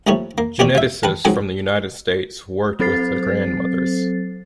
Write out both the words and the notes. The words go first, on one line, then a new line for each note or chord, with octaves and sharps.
Geneticists from the United States worked with the Grandmothers.
D#2 F3 G3 A3 C#5
A#3
A#2 G4 C#5 D5
F4 E5
B4 G5 A5
F2 G#2 F#3 G5 G#5
F#3 C4 A4 C5 A6 C7